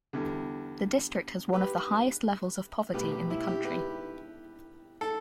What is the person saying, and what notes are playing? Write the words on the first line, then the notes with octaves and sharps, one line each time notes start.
The district has one of the highest levels of poverty in the country.
E2 D3 G3
G4 B4
B1 A2 G3 G4 B4
G4
E4
G4
G4 B4
A4